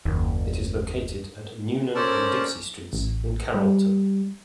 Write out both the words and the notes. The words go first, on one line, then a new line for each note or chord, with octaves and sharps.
It is located at Newnan and Dixie Streets in Carrollton.
F#1 D#2
C#4 A4 A#4 C5 D5 A5
A1
G3